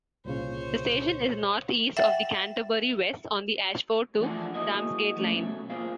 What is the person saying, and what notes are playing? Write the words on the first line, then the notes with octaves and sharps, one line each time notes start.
The station is north east of Canterbury West on the Ashford to Ramsgate Line.
C2 A#2 C#3 C5 C#5
E5 F#5 G5 A6
E2 F3 A3 D4 G#4 F#5
A#3 E4 F#4 G#4 D#5
F3 A3 C#4 D4
B2 F#3 A3 C#4
A#3 C4 F4 G#4 F5